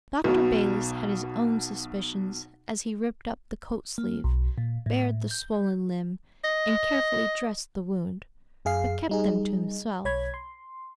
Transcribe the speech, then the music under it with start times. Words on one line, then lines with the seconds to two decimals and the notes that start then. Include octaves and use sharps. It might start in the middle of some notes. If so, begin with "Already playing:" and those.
Dr. Balis had his own suspicions as he ripped up the coat sleeve, bared the swollen limb, and carefully dressed the wound; but kept them to himself.
0.24 B1 B2
3.98 A#3
4.24 B1
4.58 A#2
4.86 A2
5.31 G6
6.44 D#5
8.65 F#2 G#4 F5 C7
9.09 G3 D#4 G#4
10.05 B1 C#5 B5 G#6
10.34 C6